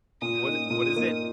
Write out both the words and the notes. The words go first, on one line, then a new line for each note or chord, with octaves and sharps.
Was it what is it?
A#2 D#6
A#3 D#4
A#2
A#3 D#4